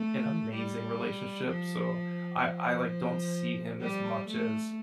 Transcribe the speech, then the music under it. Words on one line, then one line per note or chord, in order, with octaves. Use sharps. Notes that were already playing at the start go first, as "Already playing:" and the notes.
an amazing relationship, so I I, like, don't see him as much as
Already playing: A3
G3
F3
F3
G3
A3